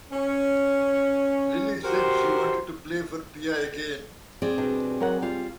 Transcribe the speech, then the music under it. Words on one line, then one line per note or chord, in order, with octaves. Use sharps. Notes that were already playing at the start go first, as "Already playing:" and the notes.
Lilly said she wanted to play for Pia again.
C#4
F#4 G4 A#4 C5
C4 G#4 D5
B2 G3 D4
F#3 A#4 F#5
G3 F4